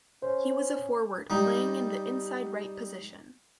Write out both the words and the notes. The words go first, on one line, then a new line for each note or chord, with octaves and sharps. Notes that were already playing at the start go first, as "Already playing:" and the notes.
He was a forward, playing in the inside right position.
C#4 C5
G3 D#4